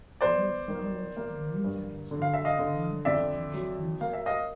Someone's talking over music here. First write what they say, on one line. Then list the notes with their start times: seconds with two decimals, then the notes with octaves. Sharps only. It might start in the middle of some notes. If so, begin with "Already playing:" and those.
Morris now works as a music instructor at One Education Music.
0.21 B3 C5 D5
0.68 D#3
1.17 A#3
1.64 G2
2.11 D3
2.22 F5
2.34 E5
2.45 D#5 F5
2.59 D3
3.05 F2 D5 E5
3.54 F#3
4.01 A#3 F5
4.13 E5
4.26 D#5 F5